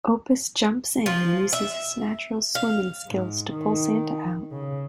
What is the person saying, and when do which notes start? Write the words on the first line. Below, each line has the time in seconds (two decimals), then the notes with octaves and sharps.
Opus jumps in and uses his natural swimming skills to pull Santa out.
1.06 F3
1.53 E5
2.55 F5
3.08 G#2
3.52 D#3
4.52 C#3